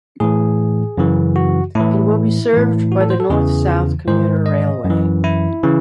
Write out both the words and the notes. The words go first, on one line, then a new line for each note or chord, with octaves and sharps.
It will be served by the North–South Commuter Railway.
A2 E3 G#4
F#2 C#3 E3
F#4
A2 E3 E4
A2 E3
F#4
A4
C5
A4
E2 C#3 E3 G#4
G#2 D#3 C5
D#5
F#2
E3
E4
C#3 E3